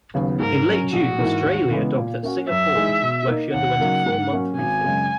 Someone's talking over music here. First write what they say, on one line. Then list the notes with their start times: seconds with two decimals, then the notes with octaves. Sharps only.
In late June, "Westralia" docked at Singapore, where she underwent a four-month refit.
0.14 D#2 C#3 F#3 B3
0.39 G#2 A#4
0.66 F#3 C#4
0.92 A#1 F#4
1.19 G#2 E3 A#3 E4
1.45 D#2
1.71 C#3 E3 G#3 B3
1.97 A#2
2.23 A#3 C#4 F#4
2.49 F#2 E5
2.75 E3 G#3 D#4 G#4
3.01 B2
3.27 A#3 D#4
3.54 D#2 F#5
3.79 C#3 F#3 A#3 D#4
4.06 G#2
4.32 F#3 A#3 C#4 F#4
4.58 G#1 G#5
4.84 F#2 C#3 G#3